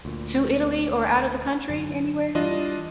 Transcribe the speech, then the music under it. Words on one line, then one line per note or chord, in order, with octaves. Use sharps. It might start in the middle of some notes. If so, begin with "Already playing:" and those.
to Italy or outta the country, anywhere?
D2 A#2
F#2 D3
E3 G3 D4 F4 D#5